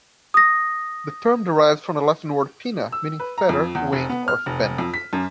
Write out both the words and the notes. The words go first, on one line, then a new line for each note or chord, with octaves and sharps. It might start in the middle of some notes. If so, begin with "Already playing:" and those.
The term derives from the Latin word "pinna" meaning "feather", "wing", or "fin".
D#6 A#6
E6
B4
A#5
F2
E2
F1
B3
F6
F1
F2
B6
F#2